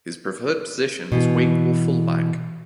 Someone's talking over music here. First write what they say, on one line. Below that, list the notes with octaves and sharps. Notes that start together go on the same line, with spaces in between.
His preferred position is wing or Fullback.
B2 E3